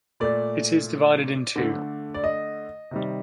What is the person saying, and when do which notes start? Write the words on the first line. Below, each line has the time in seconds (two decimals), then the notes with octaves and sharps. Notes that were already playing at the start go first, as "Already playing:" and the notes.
It is divided in two.
0.20 A#2 A3 D5
1.56 D3 A3
2.14 D5
2.24 D#5
2.91 C3 D#3 G3